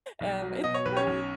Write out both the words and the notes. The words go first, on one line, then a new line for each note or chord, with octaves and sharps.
Um, it's, um,
B1
F#3
B2 D#5
C#5
B1 B4
C#4 C#5
B1